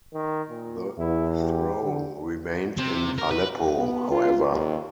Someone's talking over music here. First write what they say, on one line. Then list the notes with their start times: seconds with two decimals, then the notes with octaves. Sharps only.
The throne remained in Aleppo, however.
0.13 D#3
0.50 A#2
0.98 E2 E4
1.41 G4
1.83 D3
2.77 C3
3.18 A#4
3.31 B4
3.77 B3
4.11 F4
4.51 D#2